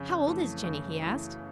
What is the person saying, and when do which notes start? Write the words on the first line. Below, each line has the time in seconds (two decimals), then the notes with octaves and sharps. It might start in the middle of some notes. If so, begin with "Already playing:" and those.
"How old is Jinny?" he asked.
Already playing: F2 C#3
0.27 E3 A3
0.64 F#2 C#3
1.02 E3 A3